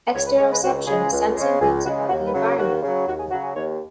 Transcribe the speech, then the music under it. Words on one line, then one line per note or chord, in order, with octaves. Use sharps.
Exteroception is sensing things about the environment.
C#2 C#5
B4
C#3 G#3 C#5
B4
C#2 F#4
C#3 G#3 G#4
C#2
C#3 G#3
C#2 G#4
C#3 G#3 F#4
D#2 F#4
B4
C#3 F#3
G#4
D#2 F#4
C#3
F#3
D#2 F#4
G#4
C#3 F#3 F#4
G#4
D#2 C#5